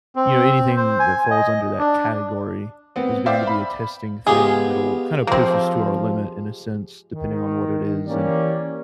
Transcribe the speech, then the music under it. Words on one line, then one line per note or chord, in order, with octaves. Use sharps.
you know, anything that falls under that category is going to be a testing thing that'll kinda push us to our limit in a sense, depending on what it is, and
C4
C5
G#5
D#5
D4
B3 C4
C5 D5 E5 F5 G5 D6
B5
G#3 B3 F4 G4 G#4
F3 A#3 C4
D#3
E3 A#3 C#4 G4 D5